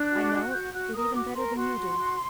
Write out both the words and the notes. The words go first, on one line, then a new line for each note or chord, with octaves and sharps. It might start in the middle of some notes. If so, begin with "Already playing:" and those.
I know it even better than you do.
Already playing: D4 F#6
F#4
F#4
F#4 G6
F#4 F#6
A#4 D#6
F#4 D6
A#4 C6
F#4 C6
F#4
F#4